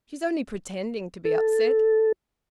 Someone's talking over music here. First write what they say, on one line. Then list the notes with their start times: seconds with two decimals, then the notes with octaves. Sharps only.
She's only pretending to be upset.
1.25 A4